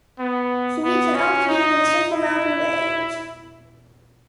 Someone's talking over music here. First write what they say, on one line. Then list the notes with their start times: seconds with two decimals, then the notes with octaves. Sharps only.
She meets in altitude in the Central mountain Range.
0.19 B3
0.83 B3
1.15 C#4
1.47 D#4
2.12 E4